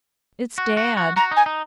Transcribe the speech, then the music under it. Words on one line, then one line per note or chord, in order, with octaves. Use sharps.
It's dad.
F#4
F#4
F#4
F#4 A#5
D#4 G#5
D#4